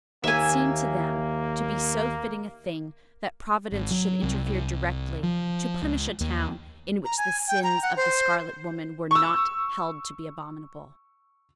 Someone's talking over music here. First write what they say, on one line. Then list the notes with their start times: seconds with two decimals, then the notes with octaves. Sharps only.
It seemed to them to be so fitting a thing that Providence should interfere directly to punish a town in which the sins of the scarlet woman were not held to be abominable!
0.24 D#2 A#3 E5 G#5
3.72 G#1
3.91 F#3
4.23 C2
5.23 F3
5.82 C#2
6.20 D#2
7.05 A#5
7.17 G#5
7.48 G5
7.64 A#5
7.83 F#5
7.97 C5
9.11 C#6 E6